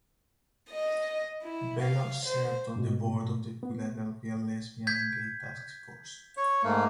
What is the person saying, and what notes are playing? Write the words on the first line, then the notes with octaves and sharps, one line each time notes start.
Bello served on the board of the Philadelphia Lesbian and Gay Task Force.
D#5
E4
F5
C5
G#2 B2
B3
G6 G#6 B6
C#5
G#2 A3 A#3